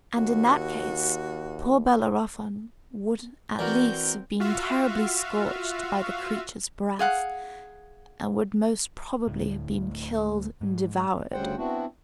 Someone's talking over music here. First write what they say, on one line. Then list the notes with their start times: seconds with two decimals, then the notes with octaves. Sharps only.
And in that case poor Bellerophon would at least have been terribly scorched by the creature's breath, and would most probably have been killed and devoured.
0.17 D#2 F#4
3.59 E3 C4 F#4 A#4 D5 G6
4.40 F4 F#4 E5 F5
6.99 G#4 F5 F#5
9.27 D2 A2
10.61 G#2
11.33 D2 C#3 G3 C5 F#5 G5
11.57 B3 C4 D4 E4 F#4